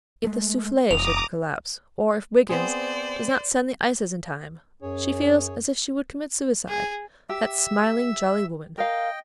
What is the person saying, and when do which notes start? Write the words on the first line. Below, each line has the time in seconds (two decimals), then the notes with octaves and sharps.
If the SOUFFLE should collapse, or if Wiggins does not send the ices in time--she feels as if she would commit suicide--that smiling, jolly woman!
0.24 G#3 A3
0.91 E1 F2 A#5 D6 D#6 F7
2.49 B3 C4 G#4 C5 D5
4.82 F#2 C#4 G#4 C#5
6.68 G#4
7.29 G4 E5 E6
8.78 A#4 D#5 F5 G5